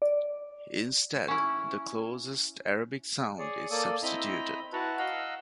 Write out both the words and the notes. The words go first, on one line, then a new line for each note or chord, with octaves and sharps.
Instead, the closest Arabic sound is substituted.
D5
C#4 E4
G#4 C#5 D5
A#3 A4 D5 D#6
C4 E4 D#5 A#5 B5
E4 F#4 B4 F#5 A5 A#5
D#5 F5 F#5 A#5 E6